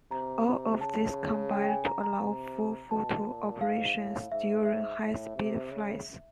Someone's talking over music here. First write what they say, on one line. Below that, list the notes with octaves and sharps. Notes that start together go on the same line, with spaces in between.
All of this combined to allow full photo operations during high speed flights.
C3 A#5
C3
C#3 A5
G5
G5
G#5
A#5
A#5
C3
B2 A5
A#2
G#2 F5
A2
G#2 E5
E5
A2
C3
C#3